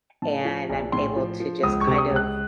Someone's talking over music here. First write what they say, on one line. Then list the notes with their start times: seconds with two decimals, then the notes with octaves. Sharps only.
and I'm able to just kind of
0.22 A2 A5
0.45 F3
0.70 A#1
0.92 A2 C6
1.16 F3
1.40 F3
1.63 C#2 D#6
1.81 C#6
1.87 C3
1.94 C#6
1.98 D#6
2.11 C#2
2.16 F#6